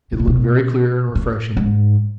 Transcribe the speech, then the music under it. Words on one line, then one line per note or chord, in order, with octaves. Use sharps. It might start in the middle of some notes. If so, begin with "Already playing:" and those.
It looked very clear and refreshing.
B2
C3
B2
A2
G#2